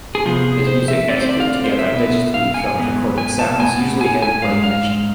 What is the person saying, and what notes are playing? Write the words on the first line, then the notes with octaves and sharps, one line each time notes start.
His music is put together digitally from recorded sounds, usually him playing an instrument.
G#4
C3 F3 B3 F4
G#4
G#4
C5
E5
E2 D3 A3 C4 D5
C5
D5
F5
D5
C5
E5
B2 B3
F5
G#5
G#2 E3 B3
G#5
A5
A2 F3 B3 G#5
G#5
G#5
G#2 G#3 F5
F5